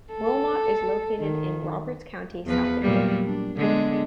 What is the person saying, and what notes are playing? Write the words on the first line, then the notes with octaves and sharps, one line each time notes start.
Wilmot is located in Roberts County, South Dakota.
A4
D#3
E2 F3 B4
A#2 F#3 G3
D4
D3 G#3 B3